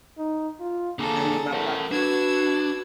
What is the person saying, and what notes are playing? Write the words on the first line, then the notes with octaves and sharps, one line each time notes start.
I need my blocks to be, like
D#4
F4
D3 A#3 G#4 A4 A#5
E3 A3 A#4 F#5
D4 F#4 B4 E6 G#6